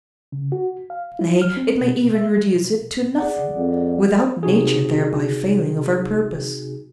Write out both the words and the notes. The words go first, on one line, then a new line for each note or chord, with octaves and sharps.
Nay, it may even reduce it to nothing, without nature thereby failing of her purpose.
C#3
F#4
F5
E4
F6
C4
B2
E5
B2
G#4 D5 F#5
F2
C3 D#4 F#4 G#4